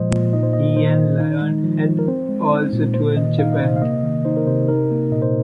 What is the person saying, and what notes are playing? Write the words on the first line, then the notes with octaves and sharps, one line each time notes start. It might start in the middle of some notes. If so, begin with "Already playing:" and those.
He and Lyons had also toured Japan.
Already playing: A#2 F3 G#3 C5 D#5
A#2
D#4 D#5
C5
A#3 D#5
D#3 C5
D#3
D#4
G#3
F3
F3
A#4
C4 C5
G#3
D#4
A#2
A#3 C5
D#3 D#5
D#4 F5
D#5
C3 C5
F5
A#3 D#5
D#3
D#4 C5
A#4
C3 C5
D#4 A#4
A#3
A#2 D#5
C5